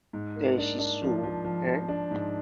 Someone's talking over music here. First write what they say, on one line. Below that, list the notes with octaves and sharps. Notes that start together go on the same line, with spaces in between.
Tenshi Sou, en.
G#2
A#3
D4
D4
F3
F3
F3
F3
D4
G#2